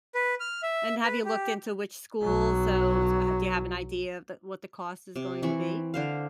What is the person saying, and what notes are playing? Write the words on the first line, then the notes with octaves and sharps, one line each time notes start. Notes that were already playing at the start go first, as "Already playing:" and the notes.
And have you looked into which schools? So, s uh, do you have an idea of th what the cost is going to be?
B4
F6
E5
B4
G4
B1 F#3
C3
E3 C4 B5 C#6
D3 C5 F5